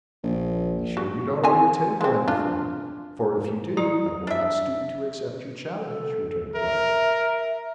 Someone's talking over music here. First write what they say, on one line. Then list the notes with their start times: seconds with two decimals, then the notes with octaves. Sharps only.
"Be sure you don't owe your tailor any thing, for if you do, I will not stoop to accept your challenge," returned Briarly.
0.23 A#1
0.97 F#4
1.44 C4 G#4 G#5
2.01 G#3 C4
2.28 D4 F4
3.77 F#3 E4 A#5
4.27 D4 E5
5.79 A4
6.55 A#4 E5